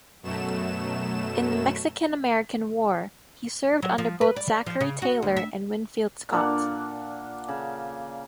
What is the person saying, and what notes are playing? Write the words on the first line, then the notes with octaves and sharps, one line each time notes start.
In the Mexican-American War, he served under both Zachary Taylor and Winfield Scott.
F#2 B2 F#3 A3 E7
F#3
F3
B4
D5
F3
C#3
F#4
D2
E5
A#2 A#3 D4 F#5
C#3